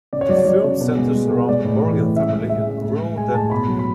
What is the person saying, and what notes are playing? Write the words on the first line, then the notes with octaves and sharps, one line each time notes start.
The film centers around the Borgen family in rural Denmark.
C#3 D5
C#5
F#3 D5
C#5
F#3 D5
C#3
B2
G#3
G#3
B2
G#3 D5
A2
E3
A2
C#3 E5
G#3
G#3 E5
C#3
A2
G#3
G#3 G#5
A2 A5
B2 B5
F#3
B5